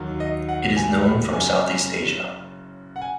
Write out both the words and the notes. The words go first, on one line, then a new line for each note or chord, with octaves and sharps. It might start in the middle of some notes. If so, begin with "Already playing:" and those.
It is known from southeast Asia.
Already playing: D#2 D#3 F#3
D#5
F#5
G#5
B5
F#1 F#2 C#3 G#5
F#5
G#5